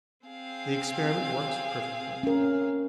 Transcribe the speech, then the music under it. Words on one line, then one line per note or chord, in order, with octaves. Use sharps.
The experiment works perfectly.
C4 G#4 F5
C#4 A#4